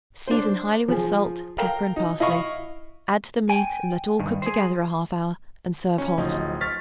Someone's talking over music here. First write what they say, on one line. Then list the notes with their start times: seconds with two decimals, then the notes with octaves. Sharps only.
Season highly with salt, pepper and parsley; add to the meat, and let all cook together a half hour and serve hot.
0.27 D4 C5
0.88 F3 G#4
1.58 A4 A#4 F5 G5 A#5
1.96 D#4
2.20 E4 D#5 F5 C#6
3.50 G5 G#5
4.20 G2 D#3
4.42 G#4 C5
5.98 C#4
6.18 D1 F3 D#4
6.61 C#6 F6 A6 B6